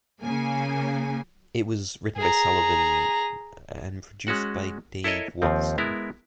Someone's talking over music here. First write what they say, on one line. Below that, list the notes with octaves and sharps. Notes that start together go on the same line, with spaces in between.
It was written by Sullivan and produced by Dave Watson.
C#3 A#3 G#5
G#4 A#5
G#3 C#4 F#4 F#5
E4 A4 A#4 C#5 D#5
D#2 F3 C4
G#3 B3 E4 A#4